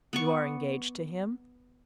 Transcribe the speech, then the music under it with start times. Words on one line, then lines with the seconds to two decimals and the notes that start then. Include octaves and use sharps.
"You are engaged to him?"
0.13 B3 D5 C#6